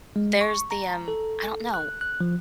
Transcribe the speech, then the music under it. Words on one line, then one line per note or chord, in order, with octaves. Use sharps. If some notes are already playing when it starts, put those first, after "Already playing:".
there's the, um, I don't know.
G#3
C#6
A#5
A4
F#6
F#6
F3